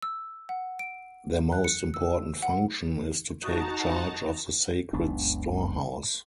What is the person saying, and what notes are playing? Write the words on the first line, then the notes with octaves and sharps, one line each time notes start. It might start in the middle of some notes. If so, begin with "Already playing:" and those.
Their most important function is to take charge of the sacred storehouse.
E6
F#5
D7
F#6
C#7
E6
F#5
D#4 F#4 A5 A#5
F#1 C#2 B3 D4